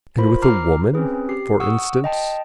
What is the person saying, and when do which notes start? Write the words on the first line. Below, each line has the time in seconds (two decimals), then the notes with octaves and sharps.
And with a woman, for instance.
0.18 F4 A#4 C5 B5
0.42 A#5 D6 F6 C7
0.93 C4 C#4 G#4 B4
1.29 G4 C7
1.60 F#5 C#6 D#6 E6
2.04 D#5 G5 A5